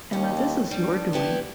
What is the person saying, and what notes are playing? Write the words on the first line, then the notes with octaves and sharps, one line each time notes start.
Emma, this is your doing.
D#2 C#4
G3 D4
B3 E4 G4